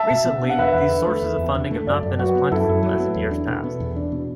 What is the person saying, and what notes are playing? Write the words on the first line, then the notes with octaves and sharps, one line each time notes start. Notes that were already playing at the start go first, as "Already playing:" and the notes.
Recently, these sources of funding have not been as plentiful as in years past.
Already playing: E5 A5
B2
B3
D4
F#5
E2 B4 E5
E2
D3
A3
E2
E2
D3
A3
F#2 A4 D5
F#2
F#3 F#4 B4
B3
F#2 E4 A4
F#2
F#3
B3
E2
D4
B2
B3
E2
D4
B2